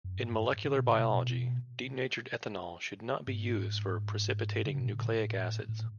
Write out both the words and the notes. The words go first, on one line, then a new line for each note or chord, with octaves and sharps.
In molecular biology, denatured ethanol should not be used for precipitating nucleic acids.
F#2
A2
G#2
C#3
B2
A2
B2
G#2
D3
C#3
B2
A2
A2